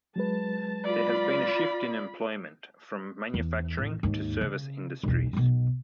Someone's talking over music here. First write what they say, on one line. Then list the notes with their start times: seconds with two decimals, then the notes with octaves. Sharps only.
There has been a shift in employment from manufacturing to service industries.
0.16 F#3 G#3 B4 A5
0.84 F4 D5 B5
3.34 E2
3.78 A1
4.03 D#2 G#2
4.41 C#3
5.03 B1 E2
5.33 B1 B2